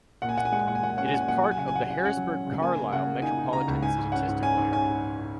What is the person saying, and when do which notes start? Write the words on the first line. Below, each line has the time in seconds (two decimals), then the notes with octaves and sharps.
It is part of the Harrisburg-Carlisle Metropolitan Statistical Area.
0.22 A#2 F#5
0.29 G#5
0.36 A#2 F#5
0.45 G#5
0.52 G#3 F#5
0.59 G#5
0.66 A#2 F#5
0.75 G#5
0.82 A#2 F#5
0.90 G#5
0.97 C#4 F#5
1.06 G#5
1.11 A#2 F#5
1.21 G#5
1.26 A#2 F#5
1.37 G#5
1.42 F#3 F#5
1.51 G#5
1.57 C#3 F#5
1.68 G#5
1.72 C#4 F#5
1.82 G#5
1.86 C#3 F#5
1.98 G#5
2.02 C#4 F#5
2.17 F#3
2.32 C#4
2.47 C#3
2.62 A#3 G#5
2.77 C#3
2.92 C#3 F#5
3.07 A#3
3.22 D#4 G#5
3.38 D#4
3.52 C#3 A#5
3.68 C#2
3.82 G#2 G#5
3.98 G#2
4.12 C#4 F#5
4.28 G#2
4.43 C#4 G#5
4.57 G#2
4.72 C#4 G#5